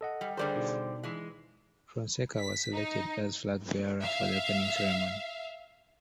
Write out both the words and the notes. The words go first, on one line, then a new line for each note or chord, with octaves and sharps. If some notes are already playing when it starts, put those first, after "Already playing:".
Fonseca was selected as flag bearer for the opening ceremony.
A4 D#5 F#5
G3
D3 G3 G#4 A#4 C5 D5 D6
B2 D#4
E3 G#3
B6
D#4
E5 F5